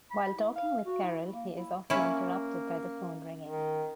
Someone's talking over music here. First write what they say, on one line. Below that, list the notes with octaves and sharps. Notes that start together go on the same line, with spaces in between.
While talking with Carol, he is often interrupted by the phone ringing.
B5
E4
F5
F#4
E4
A#3
E4
A#3 C#4 E4
D#3